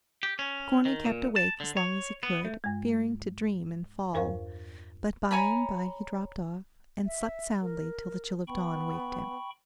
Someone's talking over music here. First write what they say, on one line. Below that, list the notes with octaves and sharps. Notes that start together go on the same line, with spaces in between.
Corny kept awake as long as he could, fearing to dream and fall; but by-and-by he dropped off, and slept soundly till the chill of dawn waked him.
G4
C#4
D#3
A#2
A5
D3
C#5
B3
A3
G2 G#3
E2 G2 A#4 C5 F5 C#6
C#5 G#5 A#5 B5
E5
A#4
B3 G5 B5 C#6